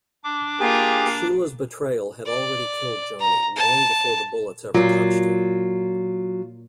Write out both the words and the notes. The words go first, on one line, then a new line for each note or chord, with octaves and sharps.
Sheila's betrayal had already killed Johnny long before the bullets ever touched him.
D4 D6
A#3 F4 G4 G#4
D5
A#5
A5
A#2 F#3 F4